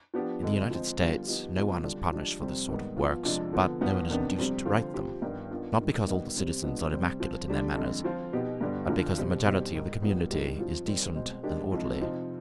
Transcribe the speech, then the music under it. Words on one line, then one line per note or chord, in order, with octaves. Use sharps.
In the United States no one is punished for this sort of works, but no one is induced to write them; not because all the citizens are immaculate in their manners, but because the majority of the community is decent and orderly.
F3 B3 D4 G4
F2 D3 G#3
F3 G#3 C4
D3 G3 B3 F4
F3 B3 D#4 G4
C3 F3 G#3 B3 F4
D3 G3 D4 F4
F3 G#3 D4 G4
F2 C3 G3 C4
G#2 D#3 G3 B3
F3 B3 F4
F2 C3 F3 G#3 D4
D3 F3 B3
G2 F3 B3 F4
C3 D#3 B3 D4
F2 C3 G3 C4 G4
D3 F3 C4 F4
F3 C4 G4
G2 D#3 G3 B3
D#3 B3 D4 F4
G#2 D#3 G3
D#3 G3 B3 D#4
C3 G3 C4 G4
F3 G#3 B3 D4
C3 G3 C4
F3 C4 F4
D3 G3 D4 G4
F2 D3 G#3
F3 C4 F4
B2 B3 D#4 G4
G2 D3 G3 B3
G2 D3 F3
B2 G3 C4 G4
B2 G3 C4 D#4 G4
G#2 D#3 G#3
D#3 G3 B3 F4
G#2 D#3 G3 D4 G4
F3 C4 F4
D#3 G3 C4
B2 G#3 C4
D#3 G#3 D4 G4
F2 C3 F3 G#3
C3 F3 C4 D#4